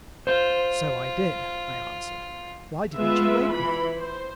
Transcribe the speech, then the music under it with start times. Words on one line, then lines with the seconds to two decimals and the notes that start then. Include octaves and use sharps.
"So I did," I answered; "why didn't you wake me?"
0.27 F4 C5
2.96 G#3 B3 F4 B4 E5
3.50 E3 B5
3.97 C5